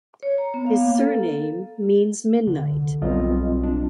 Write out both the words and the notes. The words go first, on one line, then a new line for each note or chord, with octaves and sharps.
His surname means "midnight".
C#5
A#5
B3
F5
A#3
A4
D3
C2
B1 G3 C4 F4 D#5
D4